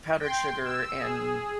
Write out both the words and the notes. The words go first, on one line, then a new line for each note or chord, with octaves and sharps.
powdered sugar and
G5 C6
E6
G#4